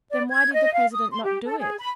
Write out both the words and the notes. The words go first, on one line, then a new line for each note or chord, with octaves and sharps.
"Then why did the president not do it?"
D5
G#6
D#5
F5
D#6
C6
G4
A4
G#4
B5